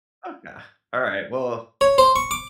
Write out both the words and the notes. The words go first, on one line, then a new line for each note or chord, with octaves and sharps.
Okay. Alright, well
C#5
C5
C#6
D6